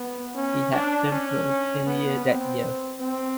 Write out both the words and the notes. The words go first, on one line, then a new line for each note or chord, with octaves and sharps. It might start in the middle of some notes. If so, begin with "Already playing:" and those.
He had turned pro earlier that year.
Already playing: B3
C#4
D4
C#4
B3
C4
C4